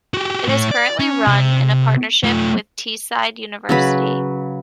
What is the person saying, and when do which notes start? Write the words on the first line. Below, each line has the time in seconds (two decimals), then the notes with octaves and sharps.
It is currently run in a partnership with Teesside University.
0.14 F#4 G4
0.47 A2 C#5
0.71 D5
0.99 C#4
1.27 C3
2.24 A3 F4
3.69 C#3 F#3 B4